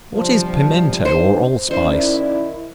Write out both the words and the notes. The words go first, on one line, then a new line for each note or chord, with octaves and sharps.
What is Pimento or Allspice?
G1 C3 F3 G3
D#3 D4 D#4 C5
D#3 C#4 D#4 E4 C5 D5